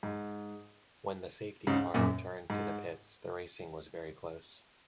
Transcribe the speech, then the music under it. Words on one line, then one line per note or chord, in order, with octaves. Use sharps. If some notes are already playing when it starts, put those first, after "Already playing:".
When the safety car returned to the pits the racing was very close.
G#2
G#2 C#3
F#2 A#2
G#2